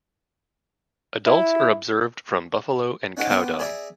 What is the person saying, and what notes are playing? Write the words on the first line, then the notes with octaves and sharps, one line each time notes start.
Adults are observed from buffalo and cow dung.
E4
C#4 D#4 F#4 G4 C5 D#5
B3 G4 B4 C6 D6 D#6
G#4 D5 E5 A#5